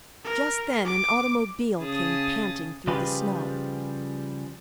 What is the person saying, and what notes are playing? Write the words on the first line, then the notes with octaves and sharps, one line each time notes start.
Just then an automobile came panting through the snow.
A#4
D6
C#3 C#4 G#4 A5 D#6
C#3 F3 G3 G4 G#4 B4